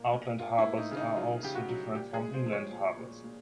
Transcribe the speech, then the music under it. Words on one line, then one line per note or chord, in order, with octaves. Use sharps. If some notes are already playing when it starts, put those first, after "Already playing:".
Outland harbors are also different from inland harbors.
Already playing: A#2 A#3
A#2
A#3 F4
E4
A#3
D#4
C#3
D#4
F#3 F4
C#3 G4
F#4
F#3
A#2 G4
G#4
G#3
C5
F3
C#5
A#2
A#2
A#2